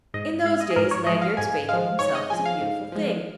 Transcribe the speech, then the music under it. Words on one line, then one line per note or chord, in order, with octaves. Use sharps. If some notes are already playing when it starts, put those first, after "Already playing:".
In those days Lanyard's faith in himself was a beautiful thing.
G#2 D#5
G#3 F5
D#5
G#4
G#2 A#4
C#5
F3 G#3 D#5
F5
G#2 G#5
F3 G#3 F5
G#2 C#5
D#5
F3 G#3 G#5
F5
G#2
F3 G#3